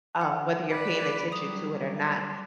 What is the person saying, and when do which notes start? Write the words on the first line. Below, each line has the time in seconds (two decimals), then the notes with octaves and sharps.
um, whether you're paying attention to it or not.
0.21 F#5
0.69 B4 D5
1.32 F#3 G3 D#6 F7